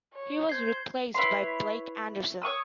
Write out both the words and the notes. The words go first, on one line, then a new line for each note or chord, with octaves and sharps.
He was replaced by Blake Anderson.
C#5
C5 G6 G#6 C7
E4 B4 C#5 C6
C#5 C#6 D#6 E6